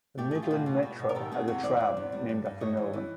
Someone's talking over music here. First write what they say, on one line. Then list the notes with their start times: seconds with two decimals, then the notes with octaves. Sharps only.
The Midland Metro has a tram named after Nolan.
0.18 A3 G4
0.31 A3 G#4
0.42 F4 G4
0.51 B2
0.66 B2
0.83 B2
0.99 B2
1.09 A#4
1.15 D#3 G4 A4
1.32 C3 F#4 G#4
1.48 E2 F#4 G#4
1.63 E2 C5 D5
1.80 C3
1.97 E2
2.12 G3
2.29 G2
2.45 G2
2.60 G3 C#5 D#5
2.77 E3
2.93 E3